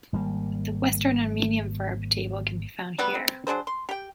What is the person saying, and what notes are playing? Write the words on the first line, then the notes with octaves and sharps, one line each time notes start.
The Western Armenian verb table can be found here.
G#1 G3 A#3
F#3 G3 B3 B4
C4
F#3 D4 G#4 C5
C6
G4 G5